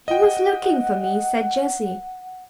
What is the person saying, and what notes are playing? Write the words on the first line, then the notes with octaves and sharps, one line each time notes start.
"He was looking for me," said Jessie.
D#5 F#5 G5